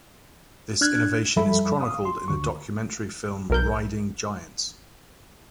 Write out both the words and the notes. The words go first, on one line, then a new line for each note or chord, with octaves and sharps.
This innovation is chronicled in the documentary film, "Riding Giants".
D4 F6 F#6 G#6
F#2 F3 G3 A4 E5 B5
F5 D#6
C6
D2 D3 C#6
B1 A#4 G6